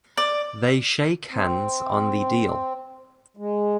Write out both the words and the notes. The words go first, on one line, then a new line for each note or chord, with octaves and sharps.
They shake hands on the deal.
D5
C4
G#3